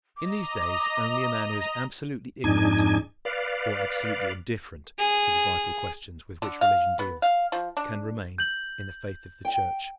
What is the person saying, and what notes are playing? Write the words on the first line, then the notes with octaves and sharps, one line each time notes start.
In these days only a man who is absolutely ignorant or absolutely indifferent to the vital questions with which religion deals, can remain in the faith of the Church.
D#5 A#5 D6
F2 G#2 D4 D#4 G#5 G#6
B4 D5 F5
G#4
D3
F5
B3
F5
F3
D4
G6 F#7
G5